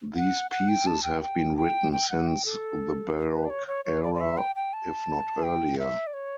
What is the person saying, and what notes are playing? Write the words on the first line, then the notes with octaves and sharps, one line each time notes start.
These pieces have been written since the Baroque era if not earlier.
F#5
F#5
G5
A5
G5
G5
G5
G5
F#5
G5
A4
B4
D5
C#5
C#5
C#5
D5
D5
E5
G5
G5
A5
G5
E5
D5
C#5